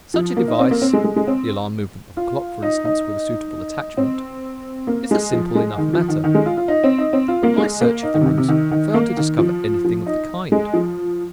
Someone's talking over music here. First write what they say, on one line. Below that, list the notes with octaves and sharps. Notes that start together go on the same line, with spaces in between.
Such a device--the alarm movement of a clock, for instance, with a suitable attachment--is a simple enough matter, but my search of the rooms failed to discover anything of the kind.
F3
A#3
D#4
C4
A#3
C4
G#3
G#3
G#3
C4
F4
D#4
D#4
C4
A#3
G#3
F3
G#3
D#3
F3
D#3
D#3
G#3
F4
F4
D#4
C4
D#4
C4
F4
A#3
G#3
A#3
D#4
D#3
C3
D#3
C3
D#3
D#3
A#3
D#3
F3
F3
D#4
G#3
F3